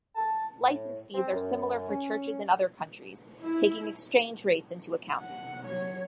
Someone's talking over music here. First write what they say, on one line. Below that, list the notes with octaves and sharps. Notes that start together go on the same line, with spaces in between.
License fees are similar for churches in other countries, taking exchange rates into account.
A5
A2
C4
F#2
C#4
E4
F#5
F#3 C#5